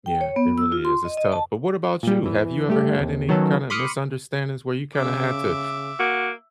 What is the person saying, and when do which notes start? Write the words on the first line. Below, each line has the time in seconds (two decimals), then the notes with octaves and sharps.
Yeah, it really is. It's tough. But what about you? Have you ever had any kind of misunderstandings where you kinda had to
0.06 G5
0.21 C#5
0.36 B3
0.58 E6
0.72 F4
0.85 C6
1.05 D#5
1.17 D#5
1.32 A5
2.03 A#2 G3
2.23 E2 E3
2.68 G2 A3 G4
2.97 D#2 C3
3.28 D#3 F#3 B3 C#4 A4
3.70 B5 C6 D6 D#6 F6 C#7
4.95 C#3 E5 D6
5.99 A#3 F#4